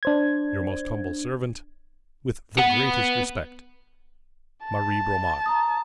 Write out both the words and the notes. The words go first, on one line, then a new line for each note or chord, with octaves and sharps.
'Your most humble servant, 'With the greatest respect, 'MARIE BROMAR.'
D4 C5 G#6
B3 F#5
A5
A#5 D#6